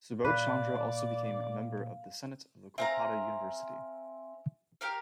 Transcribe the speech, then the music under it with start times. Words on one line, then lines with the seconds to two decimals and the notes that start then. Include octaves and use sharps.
Subodhchandra also became a member of the Senate of the kolkatta University.
0.25 A#2 B4 D5 F5
2.78 C4 E5 F5 G#5 A#5
4.81 G4 A#4 F5